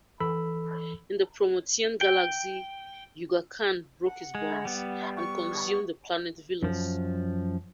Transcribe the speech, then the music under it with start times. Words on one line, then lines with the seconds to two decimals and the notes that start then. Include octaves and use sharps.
In The Promethean Galaxy Yuga Khan broke his bonds, and consumed the planet Velos.
0.20 E3 A4 B5 E6
2.01 G5
4.03 F#5
4.35 G#3
4.65 G3 B3
5.16 C#6
6.63 F#2 F3